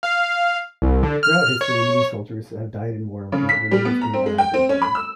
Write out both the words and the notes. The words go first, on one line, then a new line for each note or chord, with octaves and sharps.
Throughout history, many soldiers have died in war with their remains being unidentified.
F5
C2
D3
F6
C#5
C#3
B6
G3
B3
A#5
C4
G#3
G5
C4
C#4
B5
E6